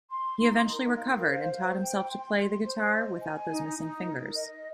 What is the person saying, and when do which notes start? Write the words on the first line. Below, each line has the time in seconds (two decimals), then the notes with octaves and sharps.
He eventually recovered, and taught himself to play the guitar without those missing fingers.
0.11 C6
0.39 D#4
0.67 A#4
0.96 F5
1.25 C5
1.53 C5
1.81 G5
2.09 C6
2.37 C6
2.65 C5
2.94 D#5
3.22 G#5
3.50 D#4
3.78 D#4
4.07 A#4
4.35 D#5